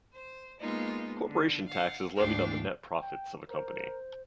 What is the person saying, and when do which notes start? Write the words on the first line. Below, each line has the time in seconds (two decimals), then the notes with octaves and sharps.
Corporation tax is levied on the net profits of a company.
0.12 C5
0.59 G#3 A#3 B3 D#4 F4
1.25 D3
1.67 F5 F#5
2.15 D2 G#2 D4 F5 G5
3.01 G5
3.50 A#4 C5